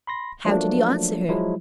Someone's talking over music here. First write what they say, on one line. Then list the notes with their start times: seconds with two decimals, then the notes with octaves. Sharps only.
How did he answer her?
0.07 B5 C6 A#6
0.45 F3 F#3 A3 A#3 D4
1.28 F3 F#3 G#3 E4